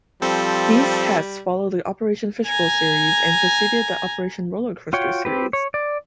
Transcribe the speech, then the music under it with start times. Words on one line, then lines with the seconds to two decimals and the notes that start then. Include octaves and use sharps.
These tests followed the "Operation Fishbowl" series and preceded the "Operation Roller Coaster" series.
0.22 F3 G3 C4 A4
2.47 G#5 A#5
4.93 F4 F#4 C#5 G5
5.25 C4 G4 B4
5.53 C#5
5.74 D5